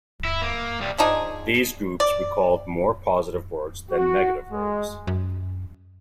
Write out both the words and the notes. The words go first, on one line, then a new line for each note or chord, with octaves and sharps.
These groups recalled more positive words than negative words.
E4
A#3
C2 G3
F3 D4 D#4 G#4
D5
F#4
G#3
F#2